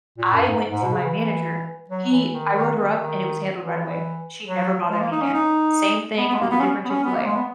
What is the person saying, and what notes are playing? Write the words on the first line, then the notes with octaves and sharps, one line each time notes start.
I went to my manager. He I wrote her up and it was handled right away. She never bothered me again. Same thing with a different Chick-fil-A.
A#2
F#2
G#2
G#2
B2
C#3
E3
F#3
E3
D#3
D#3
D#3
D#3
E3
F#3
G#3
A#3
D#4
C#4
D#4
B3
B3
G#3
A#3
B3
C#4
B3
C#4
B3
A#3
G#3
B3